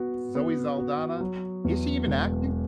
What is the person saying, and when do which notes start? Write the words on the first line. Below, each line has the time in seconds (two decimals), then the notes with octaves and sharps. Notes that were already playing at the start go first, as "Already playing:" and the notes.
Zoe Saldana, is she even acting?
Already playing: B3 F#4
0.35 B3
0.78 F#4
1.20 F#3
1.64 E2
2.07 E1